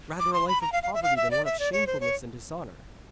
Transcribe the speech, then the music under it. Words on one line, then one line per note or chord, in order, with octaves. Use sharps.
Rather a life of poverty than one of shamefulness and dishonour.
D6
C6
B5
A#5
F5
F5
E5
F5
E5
D5
E5
D5
C#5
C5
C#5